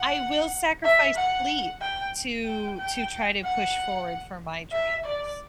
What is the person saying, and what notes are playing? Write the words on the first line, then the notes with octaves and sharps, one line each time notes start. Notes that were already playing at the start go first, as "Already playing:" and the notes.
I will sacrifice sleep to to try to push forward for my dreams.
Already playing: F#5
E5
F#5
G5
G5
G5
F#5
E5
D5